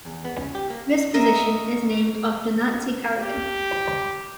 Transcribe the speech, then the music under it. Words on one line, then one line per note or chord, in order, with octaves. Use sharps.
This position is named after Nancy Kerrigan.
E2
B3
C#4
G4
A#3
A#4 D#5 E5
G4